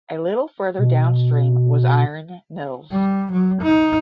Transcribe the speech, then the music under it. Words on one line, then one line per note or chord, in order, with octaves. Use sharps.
A little further downstream was Iron Mills.
B2
G3
F#3
D#4